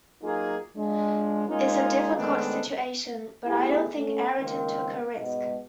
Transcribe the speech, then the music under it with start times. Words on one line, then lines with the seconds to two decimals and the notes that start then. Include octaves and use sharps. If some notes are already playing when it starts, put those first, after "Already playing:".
It's a difficult situation, but I don't think Ayrton took a risk.
0.23 F#3 A#3 D#4 F4 G#4
0.77 F3 G#3 D4
1.48 G#3 A#3 C#4 D#4 F4 G#4
2.16 D#3 G#3 A3 B3 C4 D4
3.46 A3 B3 E4 G4 G#4
3.95 A3 C#4
4.39 C#2 D#3 A#3 C4
5.18 G#2 B2